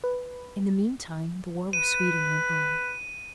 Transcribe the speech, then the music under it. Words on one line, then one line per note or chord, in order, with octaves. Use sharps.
In the mean time the war with Sweden went on.
B4
B4 D#7